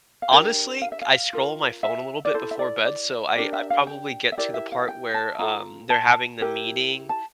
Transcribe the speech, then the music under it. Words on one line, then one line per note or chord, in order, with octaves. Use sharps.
honestly, c I scroll my phone a little bit before bed, so I I probably get to the part where, um, they're having the meeting,
F5
D4 G4 A#4 G5
F5
E5
F5
F4 A#4
E5
D5
E4 A4 C5
E5
D5
D5
D4 G4 A#4 D5
E5
F5
G5
E5
E4 G4 A#4 D5
E5
F5
G5
A5
F4 A4 A#5
A5
E4 G4 A#4
A5